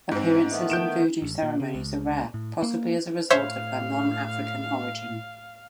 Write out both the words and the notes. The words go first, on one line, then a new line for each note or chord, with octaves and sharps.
Appearances in Voodoo ceremonies are rare, possibly as a result of her non-African origin.
G#2 C4
D#3 A3 B3
G6 D7 E7
A1
A#2
C#3
C#2
A2
A#3
A2 C5 C#5 E5 F5